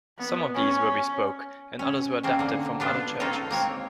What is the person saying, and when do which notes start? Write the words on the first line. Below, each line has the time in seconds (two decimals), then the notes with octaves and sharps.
Some of these were bespoke and others were adapted from other churches.
0.18 B3
0.54 C#4
1.79 C#4
2.23 A#3 C4 C#4
2.39 D3 A#3
2.80 B3 D4 F4
3.20 D#4 F4 A4 A#4 C#5 D#5
3.51 A#3 C4 C#5